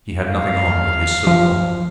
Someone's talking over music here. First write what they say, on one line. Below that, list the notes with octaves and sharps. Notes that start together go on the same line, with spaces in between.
He had nothing on but his sarong.
F5
F3